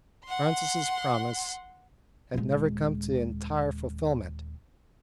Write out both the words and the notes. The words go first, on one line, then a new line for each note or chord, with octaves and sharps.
Francis's promise had never come to entire fulfilment.
F#5 C6
D#1 G#3